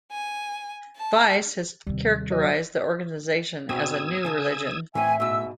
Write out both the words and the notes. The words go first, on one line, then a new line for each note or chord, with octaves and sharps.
"Vice" has characterized the organization as a "new religion".
G#5
A5
D#2 C3 G3
F#3 D#5
G#2 B2 C4 D#6 E6 G#6
C#3 A5
A2 E3 C4 C#4 E5 G#5
G#2 B2 E6